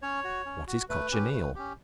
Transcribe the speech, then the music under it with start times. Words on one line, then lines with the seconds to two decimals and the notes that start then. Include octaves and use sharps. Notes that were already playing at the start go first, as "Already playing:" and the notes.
What is Cochineal?
0.02 C#4 C#5
0.24 F#4
0.46 C#4
0.67 F#4
0.89 A3 B4
1.12 C#4 G4
1.33 A3
1.55 C#4 G4